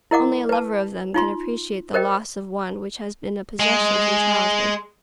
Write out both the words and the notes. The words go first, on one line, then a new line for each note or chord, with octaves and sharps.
Only a lover of them can appreciate the loss of one which has been a possession from childhood.
E4 A#4 D#5 F#5 D6
B4 A5
D#4 F4 C6
A#4 C5 D#5 G5
G#3